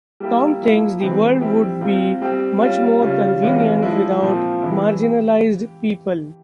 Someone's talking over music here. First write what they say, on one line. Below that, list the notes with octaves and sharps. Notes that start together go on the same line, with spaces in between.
Tom thinks the world would be much more convenient without marginalized people.
G3 A#3 E4 G4
F3 A#3 E4
E3 G#3 C4 G4
G3 C4 E4 G4
C3 G3 C4 F4
G3 C4 G4
G3 C#4 F4
C#3 G3 C#4 F4
C3 E3 G#3 C#4 F4
F3 G#3 E4
A#2 F3 C4
E3 G#3 E4
G4